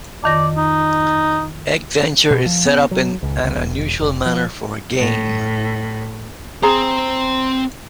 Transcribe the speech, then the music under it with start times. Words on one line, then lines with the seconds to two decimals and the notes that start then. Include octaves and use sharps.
Egg Venture is set up in an unusual manner for a game.
0.24 F2 D#3 D5 A#6
0.57 D#4
2.31 B2
2.46 F3
2.65 B3
2.91 F#3
3.23 C#2
3.44 C#2
3.56 E1
4.00 F1
4.26 F3
5.00 A2
6.63 C4 G#4 C5 A#5